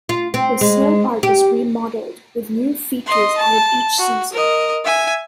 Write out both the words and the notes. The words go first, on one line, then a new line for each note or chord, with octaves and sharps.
The snowpark is re-modelled with new features added each season.
F4
C4
G#3
G4
D#5 C6
A5
F#4
A#4 D#5
E5 G#5